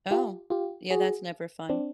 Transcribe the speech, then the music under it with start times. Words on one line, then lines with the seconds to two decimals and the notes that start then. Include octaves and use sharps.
Oh, yeah, that's never fun.
0.11 F4 G4
0.50 F4 G4
0.90 F#4 G#4
1.69 C4 D4